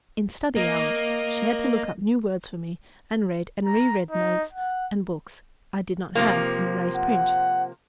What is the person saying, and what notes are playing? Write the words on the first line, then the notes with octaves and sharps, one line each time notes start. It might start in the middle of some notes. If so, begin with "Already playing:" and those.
In study hours she had to look up new words for me and read and reread notes and books I did not have in raised print.
A#3 D#5
A#5
D#4
F#5
C3 F3 A#3
F#5